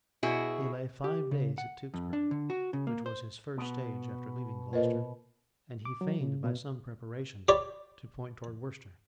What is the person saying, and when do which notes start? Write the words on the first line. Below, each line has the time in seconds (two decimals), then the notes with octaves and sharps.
He lay five days at Tewkesbury, which was his first stage after leaving Gloucester; and he feigned, by some preparations, to point towards Worcester.
0.23 B2 E4 F#4 G#4
1.04 G4
1.31 C#3
1.58 F#5
1.94 F2
2.13 D4
2.31 D3
2.50 F#4
2.73 C#3
2.87 A#3
3.06 C5
3.58 B2 B3
4.73 A#2 B4 C5 D#5
5.85 D6
6.01 F#3
6.21 C#3
6.44 B2
7.48 G4 C#5 D5 B5